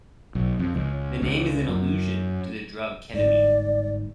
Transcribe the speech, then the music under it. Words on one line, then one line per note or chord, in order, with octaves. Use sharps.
The name is an allusion to the drug ketamine.
B1
F2
C#2
C#2
F#2
G1 G#2 D5